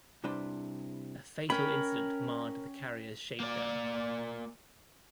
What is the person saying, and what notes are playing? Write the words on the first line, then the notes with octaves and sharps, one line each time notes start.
A fatal incident marred the carrier's shakedown.
C3 G3 D4 E4 B4 C5
C#4 A#4 G5 B5
A#3 D5